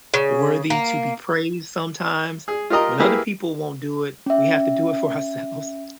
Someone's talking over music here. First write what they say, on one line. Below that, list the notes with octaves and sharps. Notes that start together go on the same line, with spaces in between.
Worthy to be praised sometimes. When other people won't do it, we have to do it for ourselves.
C#3
A#3
G#4
F4 G4 A#4 D#5 A#5
A#3 E4 G4 G#4 B4 E5
C#4 E5